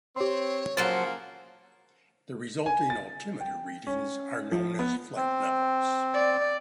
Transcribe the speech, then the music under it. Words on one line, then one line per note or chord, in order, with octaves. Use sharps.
The resulting altimeter readings are known as flight levels.
C4 G4 C#5 C6
C#3 F3 F#3 A#3 A4 C5 A6 C7
G#5
A6
G5
C#4
F3
B3
C4
D5